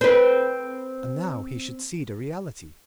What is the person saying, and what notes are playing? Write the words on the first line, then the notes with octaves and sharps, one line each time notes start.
And now he should see the reality.
C4 B4